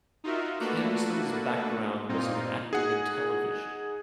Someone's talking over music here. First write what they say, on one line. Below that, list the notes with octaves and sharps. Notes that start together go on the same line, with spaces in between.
Kemsley's background was in acting and television.
D#4 F4 F#4 A#4 E5
A3 A#3 D4 F#4 A4 B4
G2 A#2 A#3 C4 D#4 F4
D#4 G#4 F#5